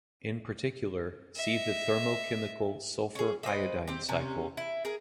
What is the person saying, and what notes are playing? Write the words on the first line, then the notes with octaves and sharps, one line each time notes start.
In particular, see the thermochemical sulfur-iodine cycle.
D#5 E5
C#4 G#4
B4 C5 D#5 E5
C4 G4
C3 C#4
E4
G#4 A#4